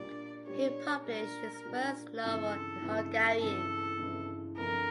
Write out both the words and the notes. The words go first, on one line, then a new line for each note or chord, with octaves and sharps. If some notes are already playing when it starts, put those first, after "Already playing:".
He published his first novel in Hungarian.
Already playing: A#2 G3 D4 G4 D5
A#2 G3 D4 G4 C#5
A#2 G3 D4 G4 A#4
A#2 G3 D4 G4
G1 F2 C#3 E3 A4
G1 F2 C#3 E3
G1 F2 C#3 E3 A4
G1 F2 C#3 E3
G1 F2 D3 F3 A#4